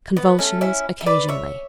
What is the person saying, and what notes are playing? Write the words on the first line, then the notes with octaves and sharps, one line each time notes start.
Convulsions occasionally.
B3
A3 C#4
C#4 E4
E5
B4 D5
C#5 E5